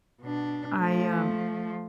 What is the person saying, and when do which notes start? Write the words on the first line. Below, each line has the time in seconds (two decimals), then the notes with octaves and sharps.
I, um
0.22 B2 D4
0.79 F3 A3